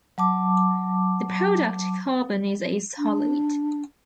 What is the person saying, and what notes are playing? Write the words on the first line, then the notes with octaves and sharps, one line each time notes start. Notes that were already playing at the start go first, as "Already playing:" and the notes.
The product carbon is a solid.
F#3 A5 D6
D4